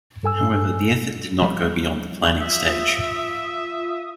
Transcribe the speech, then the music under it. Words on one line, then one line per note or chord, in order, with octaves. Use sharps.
However, the effort did not go beyond the planning stage.
G2 A4 G#5 E6
F3 G3
F4 E5 D#6